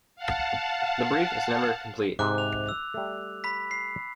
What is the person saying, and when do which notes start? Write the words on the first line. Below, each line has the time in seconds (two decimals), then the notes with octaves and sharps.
The brief is never complete.
0.16 F5 F#5 A5
2.19 G#2 C3 D6 F#6
2.38 F7
2.69 E6
2.94 G3 A3
3.44 B5 B6
3.71 C7